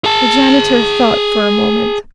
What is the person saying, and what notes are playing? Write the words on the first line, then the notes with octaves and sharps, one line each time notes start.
The janitor thought for a moment.
G#4 A5